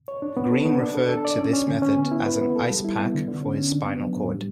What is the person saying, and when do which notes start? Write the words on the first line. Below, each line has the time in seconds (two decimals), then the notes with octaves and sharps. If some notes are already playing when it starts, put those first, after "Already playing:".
Green referred to this method as an ice-pack for his spinal cord.
0.08 C#5
0.22 D4
0.37 B3
0.51 A4
0.65 B3
0.80 D4
0.95 A4
1.09 A4
1.25 D5
1.38 C#4
1.53 C#4
1.68 D3
1.82 C#4
1.97 B3
2.11 E4
2.26 B4
2.41 B3
2.56 A4
2.70 G3
2.84 E4
2.99 B3
3.14 D3
3.28 D3
3.42 C#4
3.57 C#4
3.72 D4
3.86 B3
4.01 F#3
4.16 A2
4.29 G3